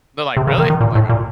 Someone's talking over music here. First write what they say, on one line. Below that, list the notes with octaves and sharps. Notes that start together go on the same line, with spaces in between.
They're like, "Really?" I'm like, "Okay.
C3
C#3
D#3
D#3
A#2
A2
A#2